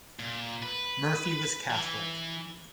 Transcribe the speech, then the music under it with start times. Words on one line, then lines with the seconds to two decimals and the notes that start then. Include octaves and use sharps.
Murphy was Catholic.
0.19 A#2
0.62 B4
1.70 E3